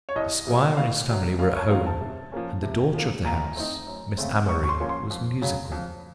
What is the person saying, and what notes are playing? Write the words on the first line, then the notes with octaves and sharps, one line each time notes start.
The squire and his family were at home, and the daughter of the house, Miss Amory, was musical.
C#5
C2 D#5
C3 F#3 A#3
A2 F5
F#3 A3
F#2 F5
C#5
D#3 F#3 C4 F5
A5
C3
F3 A#3 C#4
C3
F3 A#3
A#2 A#5
A3 C4 D#4
F#2
C#3 A3 C4
F#2 C#6
C#6
C6
F3 A#3 C#4
C6
F2
C#3 F#3
F2